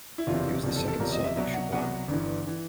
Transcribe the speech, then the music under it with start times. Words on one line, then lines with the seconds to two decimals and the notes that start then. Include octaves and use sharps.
He was the second son of Chupan.
0.18 E4
0.27 F#1 E2 C3 E3 F4
0.64 F#1 E2 C3 F3
0.76 A4
0.88 A4
1.00 F#1 E2 C3 F3 A#4
1.12 D#5
1.24 E5
1.36 C2 B2 F#3 E5
1.54 F#5
1.72 C2 B2 F#3 F#5
2.08 G1 G2 E3
2.47 E3